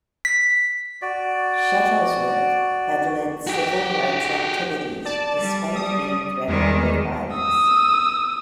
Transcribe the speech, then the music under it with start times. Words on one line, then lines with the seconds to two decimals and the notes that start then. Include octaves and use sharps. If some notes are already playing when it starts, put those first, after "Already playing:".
Shuttlesworth had led civil rights activities despite being threatened with violence.
0.25 B6
1.02 F#4 D5
3.47 F#4 G4
5.05 D5 A5
5.37 G3
5.75 D#6
6.47 E2 D#3 G3 G#3
7.35 D#6 E6